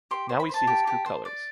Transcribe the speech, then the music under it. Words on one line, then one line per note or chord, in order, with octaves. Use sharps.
Now we see his true colors.
G4 C6
C5
B5
C5 A5
G4
G4
C5
D5